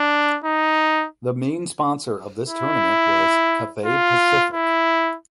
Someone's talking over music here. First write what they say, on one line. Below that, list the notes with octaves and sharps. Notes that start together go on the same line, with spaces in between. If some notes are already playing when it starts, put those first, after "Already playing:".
The main sponsor of this tournament was Cathay Pacific.
Already playing: D4
D#4
E4
F4
E4